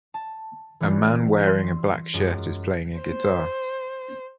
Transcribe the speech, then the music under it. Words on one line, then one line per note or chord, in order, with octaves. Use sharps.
A man wearing a black shirt is playing a guitar.
A5
E3 G3 C#4 E4 F4
C6 D#7
F#2 G#3 F4 F#4
C5